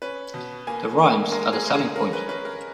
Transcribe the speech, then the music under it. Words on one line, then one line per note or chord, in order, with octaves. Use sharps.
The rhymes are the selling point.
C#4 B4
B2
A#3 G#5
A#3
G#3 A#4
G#4
G#3
G#4
C#4 A#4
B4
C#4 B4
A#4